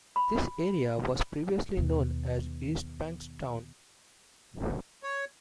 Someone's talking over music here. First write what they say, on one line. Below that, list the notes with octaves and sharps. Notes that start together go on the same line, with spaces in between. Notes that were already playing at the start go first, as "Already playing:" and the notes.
This area was previously known as East Bankstown.
B5
D#2 B2
C#5